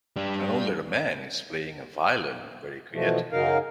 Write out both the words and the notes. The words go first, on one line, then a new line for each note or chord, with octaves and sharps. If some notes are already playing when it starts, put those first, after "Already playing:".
An older man is playing a violin very creatively.
G3 D4
B2 E3 F3 A3
F#2 C#3 F#3 D#4 A#4 F5